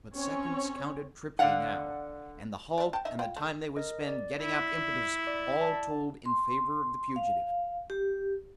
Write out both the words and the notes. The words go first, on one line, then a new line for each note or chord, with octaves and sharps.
But seconds counted triply now, and the halt and the time they would spend getting up impetus all told in favor of the fugitive.
C4 C#4 C#5
D3 D5 F5 F#5
D5 E5
G5 A5
D#4 D#5 E5
F4 G5
A3
A#4 D#5
D5
E4
D5
D5 A5
C6
F5
G4